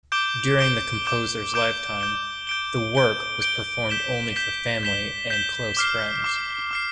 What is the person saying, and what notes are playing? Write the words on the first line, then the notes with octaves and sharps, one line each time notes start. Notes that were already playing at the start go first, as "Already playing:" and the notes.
During the composer's lifetime, the work was performed only for family and close friends.
D6 G6 D7 G7
D6 G6 D7 G7
D6 G6 D7 G7
D6 G6 D7 G7
G6 D7 G7
G6 D7 G7
G6 D7 G7
G6 D7 G7
G6 B6 E7 G7
G6 B6 E7 G7
G6 B6 E7 G7
G6 B6 E7 G7
D6 F6 C7
D6 F6 C7
D6 F6 C7